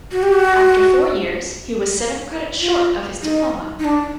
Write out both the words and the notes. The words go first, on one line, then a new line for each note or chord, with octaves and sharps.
After four years, he was seven credits short of his diploma.
F#4
G4
F#4
F4
D#4
D#4
D4